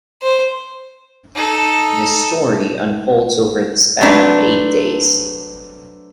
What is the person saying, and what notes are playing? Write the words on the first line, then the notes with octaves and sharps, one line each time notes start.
The story unfolds over the span of eight days.
C5
D#4 A4
F#3 A3 C4 D4 B4